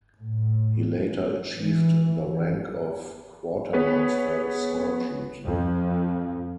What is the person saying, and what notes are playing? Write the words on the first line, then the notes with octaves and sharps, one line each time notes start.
He later achieved the rank of Quartermaster Sergeant.
A2
E3
B3 G#4 B4 C#5
F2